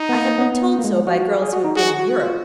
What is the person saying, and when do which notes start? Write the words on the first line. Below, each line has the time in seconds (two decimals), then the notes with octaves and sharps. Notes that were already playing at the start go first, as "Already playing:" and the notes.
I have been told so by girls who have been in Europe.
Already playing: D#4
0.09 B3
0.15 A#3
0.38 B3
0.79 A#3
0.84 G#3
1.07 F#4
1.31 G#4
1.42 G#4
1.53 F#4
1.64 D#4
1.76 F#4 G#4
1.99 F#4
2.22 F4